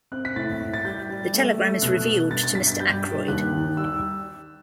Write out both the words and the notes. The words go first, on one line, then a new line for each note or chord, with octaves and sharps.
The telegram is revealed to Mr. Ackroyd.
C4 F#6
B6
A2 A6
A2
A6
G3 G6
G3
A3
A3
B2 F#6
B2
G2 A6
A6
G2 B6
A6
G3 G6
G2
D#2 F#6
D#3
G3 E6